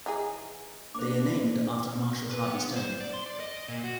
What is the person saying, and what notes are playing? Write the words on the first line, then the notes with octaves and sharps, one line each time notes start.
They are named after Marshall Harvey Stone.
E3 D#4 G#4
A#3 D4 C5 D6
B4
B3
C5
D5
C6
D5
D#5
A#2
F#4